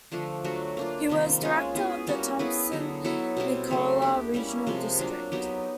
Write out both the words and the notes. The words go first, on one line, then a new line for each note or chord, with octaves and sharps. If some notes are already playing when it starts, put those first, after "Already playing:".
He was director of the Thompson-Nicola Regional District.
D3 F3 A3 D4
F#3 A3 D4 F#4
A#3 D4 F4
C3 D#3 G3 A#3
G#3 C#4 F4 G#4
B3 E4 G#4
G3 A#3 C#4 F#4
B3 E4 G#4 B4
D3 F#3 B3
F#3 B3 E4 A4
B2 G3 C4 E4
C#3 F#3 A3
B3 D4 G4
G3 A#3 C#4 E4
C3 F3 G#3
F#3 A#3 D4
F#3 B3 D#4 G4